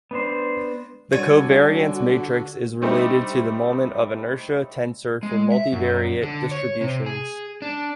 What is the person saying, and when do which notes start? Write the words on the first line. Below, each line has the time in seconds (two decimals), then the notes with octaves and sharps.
The covariance matrix is related to the moment of inertia tensor for multivariate distributions.
0.11 B3 D4 C5
1.12 D3 G3 F#4 C#5 D5 G#5
2.82 G3 A3 C4 D4 D#4
5.23 G#3
5.52 E5
5.72 F#2
6.23 D3
6.51 C#5
6.81 C3
7.06 G#4
7.62 D4